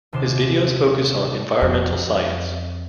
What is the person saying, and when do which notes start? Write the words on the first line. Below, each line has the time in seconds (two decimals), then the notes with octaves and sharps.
His videos focus on environmental science.
0.13 D#1 C3 C6 D6 E7
1.62 F2